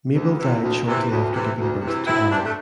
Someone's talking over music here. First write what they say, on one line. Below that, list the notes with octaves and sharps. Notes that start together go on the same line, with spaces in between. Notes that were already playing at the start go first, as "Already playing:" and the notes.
Mabel died shortly after giving birth to Ellen.
D2
C3 E3
D2
C3 E3
D2
C3 E3
D2
C3 E3
D2 C4 E4
C3 E3 D4
C4
A3 D4